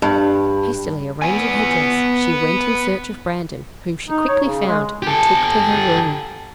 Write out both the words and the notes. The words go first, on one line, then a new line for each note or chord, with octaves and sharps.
Hastily arranging her dress, she went in search of Brandon, whom she quickly found and took to her room.
G2
B3 G#5
D#4
C#5
C#3
G#3
G4 A4